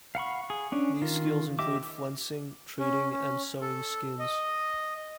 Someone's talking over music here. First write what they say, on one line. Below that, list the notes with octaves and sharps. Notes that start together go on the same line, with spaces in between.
These skills include flensing, treating and sewing skins.
F5 F#5 B5 C#6
G#4
C#4 D4
D#3 F4
G4 D#5 E5 D6
C#4
C#4
A4
D#5